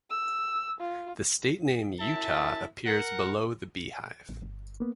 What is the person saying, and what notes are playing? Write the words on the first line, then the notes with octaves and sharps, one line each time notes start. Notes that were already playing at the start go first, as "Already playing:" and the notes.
The state name "Utah" appears below the beehive.
E6
F4
F#2 E4 A5
A#4 F#5
A1
G1
A#3 B3